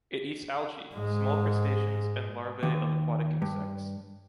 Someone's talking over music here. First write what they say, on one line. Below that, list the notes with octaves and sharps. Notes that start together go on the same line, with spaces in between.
It eats algae, small crustaceans and larvae of aquatic insects.
G#2 G#3
D#2
G2